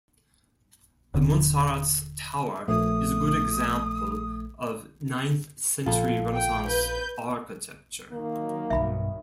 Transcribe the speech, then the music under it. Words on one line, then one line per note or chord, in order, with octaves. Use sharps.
The Muntsaratz Tower is a good example of ninth century Renaissance architecture.
D#1 D3
A#1 A3 D#6
A#1 F4 A4
G5
B4 G6
D#3 F#3 A#3
B1 G2 E5 B5